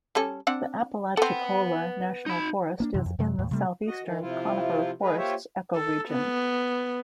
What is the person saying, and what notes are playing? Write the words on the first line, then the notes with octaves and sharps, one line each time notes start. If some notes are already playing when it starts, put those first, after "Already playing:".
The Apalachicola National Forest is in the southeastern conifer forests ecoregion.
G3 C#4 A4
C4 D4 F#5
C4 A4 B4 F#5
D#4 B5
A#3 C#4 D4
F#2 C3 E3
F2
F#2 C3 F#3
D#2 A2
C3 G3 A3
F#4 D#5
D#3 E3
C3 F3 E4 F4
G#3 G#4 A#4 B4
A#3 F4 G4 C5 C#5 E5
A4
B3